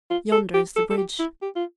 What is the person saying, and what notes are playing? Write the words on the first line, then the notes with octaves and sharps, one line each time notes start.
"Yonder is the bridge."
F4
A4
G4
A4
A4
G4
E4
G4
F4